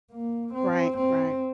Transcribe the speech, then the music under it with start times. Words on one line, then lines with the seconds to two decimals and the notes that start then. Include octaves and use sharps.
Right, right.
0.12 A#3
0.54 C4
0.97 C4